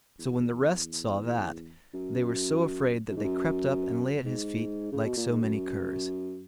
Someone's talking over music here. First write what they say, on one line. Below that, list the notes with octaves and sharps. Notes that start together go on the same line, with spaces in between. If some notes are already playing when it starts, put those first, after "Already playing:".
So when the rest saw that, they were so afraid that they crept up and lay at his feet like so many curs.
E2
F#2
F#2
G#2
F#2
G#2
C#3
B2
A#2
G#2
F#2